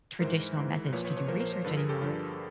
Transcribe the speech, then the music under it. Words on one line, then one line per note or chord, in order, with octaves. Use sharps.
traditional methods to do research anymore,
G#2 E3 A#4 C5
G#2 E3
A#2 F3 B4 C#5
B4 C#5
B4 C#5
A#2 F3 A#4 C5
A#4 C5
A#4 C5
G2 D3 F3 A4 B4
G#4 A#4
G4 A4
G2 D3 F3